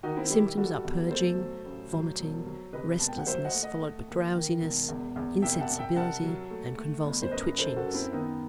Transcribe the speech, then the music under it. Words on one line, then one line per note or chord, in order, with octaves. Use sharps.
Symptoms are purging, vomiting, restlessness, followed by drowsiness, insensibility, and convulsive twitchings.
D#3 D#4 F#4
C4 E4
G3 E4 G4
G3 F#4 A4
E2
A3 A4 C5
F#3
A1
F#3
E1
F#3
C3 B4 D#5
E1 A5
G5
F#5
F#3 C5 E5
D#5 F#5
A3
D#5 F#5
A3
D#2
D#3
E1
E2
E2
C2 E5 G5
F#5 A5
C2
E5 G5
C2 F#5 A5
F#3
A3
A3
G1
C5
F#2 B4 D#5
F#2 A4 C5
F#4 A4
F#2
C4 E4
D#3 B3 D#4